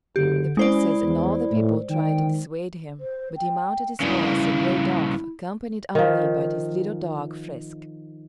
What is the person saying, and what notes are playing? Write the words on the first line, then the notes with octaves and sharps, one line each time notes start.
The Princess and all the people tried to dissuade him, but he mounted his horse and rode off, accompanied only by his little dog, Frisk.
F#1 D3 G4
G#3 C#4 E4 C5 D5
E2
A2
D#3 G5
C5
G5
G2 C#3 E4
D#3 F3